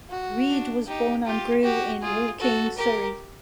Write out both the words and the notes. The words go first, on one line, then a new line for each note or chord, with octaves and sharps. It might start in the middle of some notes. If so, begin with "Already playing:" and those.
Reed was born and grew in Woking, Surrey.
F#4
D4
D#4 G4
F4 G4
F#4 G4
F4 G#4
F#4 A4
G4 A#4